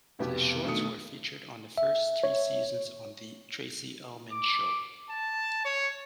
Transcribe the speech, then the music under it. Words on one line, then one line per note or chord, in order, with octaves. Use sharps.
The shorts were featured on the first three seasons on "The Tracey Ullman Show".
F1 B1 B3 G4
B1 D#3 A3 D4 D#6 C#7
E5
C#5
D6
A5
C#5